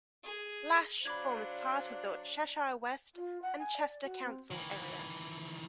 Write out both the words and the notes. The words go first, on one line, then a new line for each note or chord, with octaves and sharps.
Lache forms part of the Cheshire West and Chester council area.
G#4
F#3 D4 C5 D5 F5 B5 D6 G#6
F4
F#5
G#5
D5
F#4
C4
D#3 E3